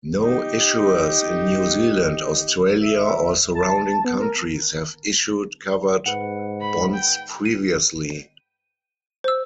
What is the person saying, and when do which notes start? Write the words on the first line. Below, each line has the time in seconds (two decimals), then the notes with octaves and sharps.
No issuers in New Zealand, Australia or surrounding countries have issued covered bonds previously.
0.22 D#4 G4
2.80 E5
3.55 A5
4.05 B3
4.20 A#4
6.06 G#2 B4 F#5
6.61 B5
6.94 G5
7.45 D#7
9.24 C5 E6